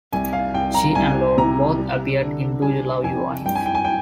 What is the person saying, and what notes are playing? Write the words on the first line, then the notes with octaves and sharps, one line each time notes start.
She and Laurel both appeared in Do You Love Your Wife?
C2 G#5
F5
C2 G5
A#5
C2 G#5
C3 A#5
G3
D3
G3 G#5
F2 G#5
G2 G5
G#5
G5
G#5
G5